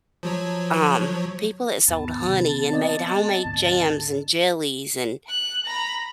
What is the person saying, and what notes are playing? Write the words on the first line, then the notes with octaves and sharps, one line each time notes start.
um, people that sold honey and made homemade jams and jellies and
F3 F#3 C#5
D#2 G#2 B3 A5
C3 D#3
C4 D5 D#5
D2 G#2
F#6
A#5 B5